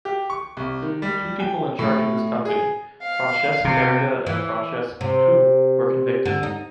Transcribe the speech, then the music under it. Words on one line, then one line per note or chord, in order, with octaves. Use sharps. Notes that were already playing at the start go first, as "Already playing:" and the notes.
Two people in charge of this company, Francesc Berga and Francesc Tous, were convicted.
G4
C#6
C2
D#3
G3
G5
A2
G#4
F5
C3
E3
C3
D3
D#4